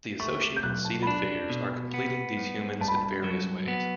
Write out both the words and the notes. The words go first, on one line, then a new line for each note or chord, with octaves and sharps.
The associated seated figures are completing these humans in various ways.
A3 C#6
D6
G6
B1 F#6
A5
B5
D4 A5
B2
B3
G2
G2 A5
B5
A5
F#3
B3